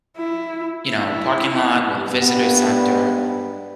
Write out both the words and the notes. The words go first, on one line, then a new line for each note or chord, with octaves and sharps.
you know, parking lot, little visitor center,
E4
E4
G2 B3